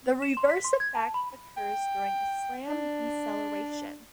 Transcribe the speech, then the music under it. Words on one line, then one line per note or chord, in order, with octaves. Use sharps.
The reverse effect occurs during a slam-deceleration.
E7
C6
B6
C6
G#6
A5
B5
G5
D4